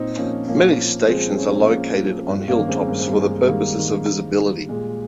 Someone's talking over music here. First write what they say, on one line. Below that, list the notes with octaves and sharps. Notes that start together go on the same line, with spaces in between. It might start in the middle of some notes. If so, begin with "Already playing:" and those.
Many stations are located on hilltops for the purposes of visibility.
Already playing: A#2 C4 D#4
F3 A#3 C#4
F3 A#3 C#4
F3
F3 G#3 C4
F3 C#4
C4
A#3 C#4
F3
F3
G2
A#3 C#4
D#3
G#3 C4
G2 A#3
C4
G3 A#3
G2 G#3
G#3
D#3 G3 A#3
D#3
D#3
G3
A#2 G#3